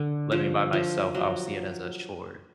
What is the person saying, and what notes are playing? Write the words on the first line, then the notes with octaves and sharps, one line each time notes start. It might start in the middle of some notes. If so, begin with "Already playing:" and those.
living by myself, I'll see it as a chore,
Already playing: D3
F3
F3
F#3